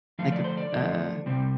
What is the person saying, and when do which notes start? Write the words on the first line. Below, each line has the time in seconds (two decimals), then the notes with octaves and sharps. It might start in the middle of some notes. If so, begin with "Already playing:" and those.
like a, uh,
0.19 D3 F3 A3 F5
0.32 D5
0.44 C5
0.57 D5
0.72 D3 F3 A3
1.26 C3 G3 C4